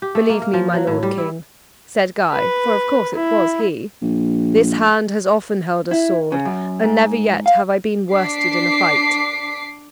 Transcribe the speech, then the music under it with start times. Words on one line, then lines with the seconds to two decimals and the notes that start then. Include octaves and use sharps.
"Believe me, my Lord King," said Guy, for of course it was he, "this hand has often held a sword, and never yet have I been worsted in fight."
0.02 G4
0.15 A3
0.30 A#3
0.42 A#4
0.54 F3
0.73 F#3
0.87 A2
1.03 G3
1.18 E4
2.32 B4
3.15 E4
4.02 A#1
5.91 E4
6.32 C#3
6.45 F#2
6.83 G#2
7.46 F5
8.12 D4 D6 B6 C7